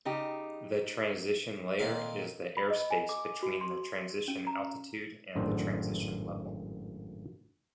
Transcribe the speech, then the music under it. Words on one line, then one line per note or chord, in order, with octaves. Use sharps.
The transition layer is the airspace between the transition altitude and the transition level.
C#3 D#4 G4
A#2 D#3 C4 A4 F5
B5
D#5
G#5
D6
F#4
C6
C#4
A#5
G#1 F#2 A2 D4 C5